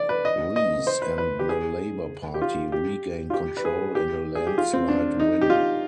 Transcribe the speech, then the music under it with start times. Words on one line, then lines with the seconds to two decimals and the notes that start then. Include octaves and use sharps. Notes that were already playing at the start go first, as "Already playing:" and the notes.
Reece and the Labor Party regained control in a landslide win.
Already playing: D5
0.09 B4
0.25 D#5
0.56 D#5
0.87 C5
1.02 B4
1.18 B4
1.39 G4
1.49 G#4
2.34 G4
2.42 F4
2.72 G4
3.30 F4
3.33 G4
3.57 B4
3.65 G#4
3.95 G4
4.35 G#4
4.47 G4
4.58 F4
4.73 C4
4.88 D4
5.20 D#4
5.41 G4
5.50 F4